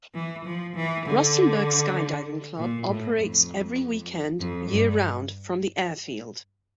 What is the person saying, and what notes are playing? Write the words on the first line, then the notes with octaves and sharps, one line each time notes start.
Rustenburg SkyDiving Club operates every weekend year round from the airfield.
E3
F3
E3
D3
A#2
A2
F2
F2
G2